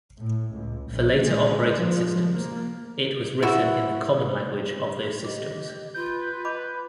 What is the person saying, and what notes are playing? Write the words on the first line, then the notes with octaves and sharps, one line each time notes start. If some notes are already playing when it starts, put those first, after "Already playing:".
For later operating systems it was written in the common language of those systems.
A2
C#2
A#1
G#3
F3
A#3
E4 F#4
G4 D#5
F4 B4 G6
D#5 B5 D6